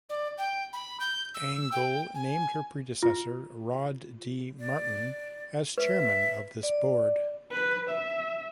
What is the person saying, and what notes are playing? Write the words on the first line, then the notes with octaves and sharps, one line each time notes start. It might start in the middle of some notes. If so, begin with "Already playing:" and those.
Angle named her predecessor, Rod D. Martin, as chairman of this board.
D5
G5
B5
G6
E6
G5
G#5
F4
D5
B4 E5
D5
B4
E5